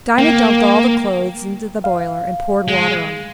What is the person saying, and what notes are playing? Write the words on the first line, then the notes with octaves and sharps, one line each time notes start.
Dinah dumped all the clothes into the boiler and poured water on them.
A#3 G5
F5
G#3